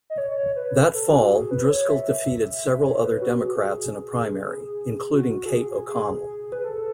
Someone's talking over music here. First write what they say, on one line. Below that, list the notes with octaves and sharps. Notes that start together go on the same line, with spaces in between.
That fall, Driscoll defeated several other Democrats in a primary, including Kate O'Connell.
D#5
C#5
B4
B4
A4
F#4
G#4
B4
C#5
E5
C#5
B4
F#4
G#4
F#4
G#4
F#4
A4
G#4
G#4
B4
A4